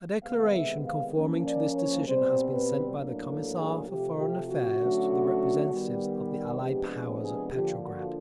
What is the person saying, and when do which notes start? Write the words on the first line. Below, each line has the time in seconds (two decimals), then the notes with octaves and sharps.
A declaration conforming to this decision has been sent by the Commissar for Foreign Affairs to the representatives of the Allied powers at Petrograd.
0.23 C3 D#3 G#3 B3 F5
0.53 E5
0.84 F5
1.14 F3 A#3 C#4
1.45 D5
1.75 C#5
2.05 B2 G3 C4 C5
2.51 B4
2.96 A2 F#3 A#3 D4
3.27 A4
3.57 G#4
3.87 C3 F3 A3 G4
4.18 G4
4.49 F#4
4.79 D3 F#3 A3 C#4
5.70 D#3 G3 B3
6.60 C3 F3 G#3 B3 D4 G4
6.92 G#4
7.21 G#4
7.51 D3 F3 A#3 G4
7.82 F#4